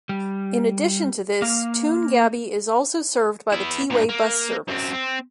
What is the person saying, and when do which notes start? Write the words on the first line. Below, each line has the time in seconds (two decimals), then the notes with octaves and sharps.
In addition to this, Toongabbie is also served by the T-Way bus service.
0.09 G3
1.42 A#3 F5
3.52 B3 E4
3.91 G2 A#2
4.09 A#3
4.68 F#2 C4
4.93 C4